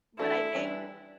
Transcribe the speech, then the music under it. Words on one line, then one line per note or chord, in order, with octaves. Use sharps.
But, I think
E3 A3 D4 E4 F#4 A4
E3 G3 D4 G4 B4